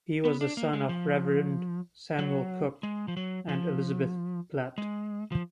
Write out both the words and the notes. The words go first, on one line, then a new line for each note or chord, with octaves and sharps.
He was the son of Reverend Samuel Cooke, and Elizabeth Platt.
B3
D4
A#3
G#3
F3
F#3
G#3
F3
F#3
F3
G#3
F3